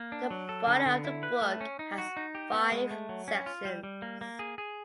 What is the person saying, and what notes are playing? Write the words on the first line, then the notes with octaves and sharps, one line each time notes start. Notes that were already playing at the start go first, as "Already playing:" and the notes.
The body of the book has five sections.
Already playing: A#3
D4
F#3
A4
D3
D3
E4
B4
A3
C#4
D#4
F#4
D#4
G4
B3
G#3
A3
F#3
C#4
F4
G3
G3
A#3
A#3
G#4
G#4